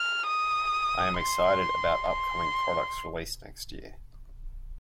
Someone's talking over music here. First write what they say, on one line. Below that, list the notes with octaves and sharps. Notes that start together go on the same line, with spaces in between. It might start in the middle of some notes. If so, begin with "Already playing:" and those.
I am excited about upcoming products released next year.
Already playing: F6
D#6
C6
C6